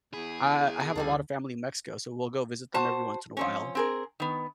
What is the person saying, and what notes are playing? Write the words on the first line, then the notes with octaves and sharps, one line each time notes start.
I I have a lot of family in Mexico, so we'll go visit them every once in a while,
E2 G#4 B5
B2
D2 D3 E3 G3 D4
F#4 C5 A5
F3 C4 C#4
C4 G#4 A#4
D#3 B3